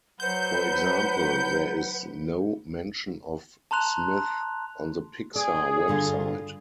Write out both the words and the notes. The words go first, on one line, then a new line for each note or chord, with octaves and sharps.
For example, there is no mention of Smith on the Pixar website.
F#3 B4 C5 F#5 B5 G6
A5 A#5 C6 F#6 F7
G#4 D5
G2 D3 F4